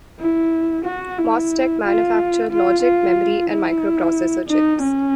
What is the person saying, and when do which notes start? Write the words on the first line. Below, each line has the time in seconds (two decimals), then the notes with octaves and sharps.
Mostek manufactured logic, memory, and microprocessor chips.
0.20 E4
0.85 F#4
1.18 E4
1.84 F4
2.51 F4
2.83 F4
3.49 E4
4.48 D#4
4.82 C#4